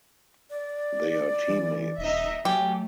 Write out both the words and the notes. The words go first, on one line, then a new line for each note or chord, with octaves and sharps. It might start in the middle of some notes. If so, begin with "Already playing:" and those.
They are teammates.
D5
E3
D#1 D#4 D#5 E5
F#3 A3 G4 G#5